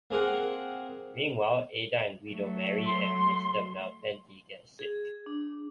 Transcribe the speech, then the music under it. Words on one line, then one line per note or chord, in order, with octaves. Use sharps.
Meanwhile, Ada and Guido marry and Mr. Malfenti gets sick.
A#3 C4 G#4 A#4 F#5
F#3 A3
C6
G#4
D4